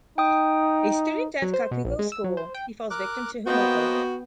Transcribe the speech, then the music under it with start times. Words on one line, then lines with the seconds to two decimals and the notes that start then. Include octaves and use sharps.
A student at Kakugo's school, he falls victim to Hamuko.
0.18 D#4 G5 D#6
1.42 F#3
1.54 C5
1.71 B2
1.85 A#1
1.99 G#3
2.12 E6
2.24 F#3
2.37 C5
2.54 G5
2.91 A#4 D6 F#6
3.47 A#3 B3 F#4 C5 D#5 G5